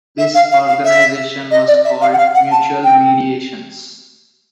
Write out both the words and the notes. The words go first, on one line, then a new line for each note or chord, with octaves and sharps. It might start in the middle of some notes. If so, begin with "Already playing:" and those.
This organisation was called Mutual Mediations.
E5
F5
F5
F5
E5
D#5
D5
E5
F5
F#5
F5
F#5
A5
G5